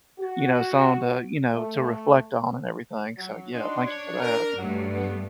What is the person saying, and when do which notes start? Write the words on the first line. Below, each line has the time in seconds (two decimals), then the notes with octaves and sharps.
you know, song to, you know, to reflect on and everything. So, yeah, thank you for that.
0.18 F#4
1.51 A3
3.17 F#3
3.52 D4 D#4 F#4 C6
3.86 C#5
4.20 A#4
4.58 G2 F#3 A3
4.94 B3